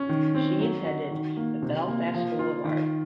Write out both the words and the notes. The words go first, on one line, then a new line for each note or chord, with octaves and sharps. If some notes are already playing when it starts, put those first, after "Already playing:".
She attended the Belfast School of Art.
Already playing: C#4
D#3
C4
F#3
F#4
D#3
A#3
C3
A#3
F3
F4
D#3